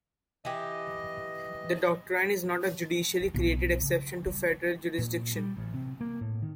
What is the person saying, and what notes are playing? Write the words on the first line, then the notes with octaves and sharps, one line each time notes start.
The doctrine is not a judicially created exception to federal jurisdiction.
E3 G4 D#5
E2 E4
B1
C#3
G3
A#2
G3
A1
C3
A#3
A2
D#3